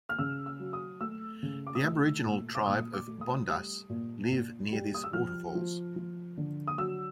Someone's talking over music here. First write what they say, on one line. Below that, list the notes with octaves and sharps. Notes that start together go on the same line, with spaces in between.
The aboriginal tribe of 'Bondas' live near this waterfalls.
F6
C#3 E6
E6
F#3
D#6
A3 E6
C#3
D6
D#6
A3 E6
A#2
D6
A#2 D#6
D6
A3
D#6
G3
A#2
A#2
G3
D#6
E6
F3 F6
F3
F3
D3
D#6
F#3 E6